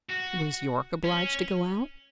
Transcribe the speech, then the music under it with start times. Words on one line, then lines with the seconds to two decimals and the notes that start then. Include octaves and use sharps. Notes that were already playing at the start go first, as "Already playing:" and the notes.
"Was Yorke obliged to go out?"
0.10 F#4
1.04 C#4